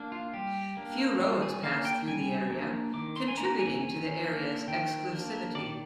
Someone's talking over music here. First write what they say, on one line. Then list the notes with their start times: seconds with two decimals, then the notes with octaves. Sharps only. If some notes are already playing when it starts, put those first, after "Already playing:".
Few roads pass through the area, contributing to the area's exclusivity.
Already playing: A#3 D4
0.12 F4
0.34 G3 G4
0.77 A#3 D4
1.19 G3 F4
1.42 G#4
1.63 A#3 D4 F5
1.85 G5
2.07 G3 G#5
2.50 A#3 D4
2.94 D#3 D6
3.16 C6
3.28 G#5
3.37 A#3 D4 A#5
3.59 G#5
3.81 D#3 G#5
4.24 A#3 D4
4.68 D#3 G5
5.12 A#3 D4
5.55 D#3 D5